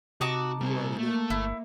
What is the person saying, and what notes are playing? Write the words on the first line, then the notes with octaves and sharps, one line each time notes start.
You already know,
C3 D#4 F#4 A5 D6
G3 C4
A3 A#3
G1 E4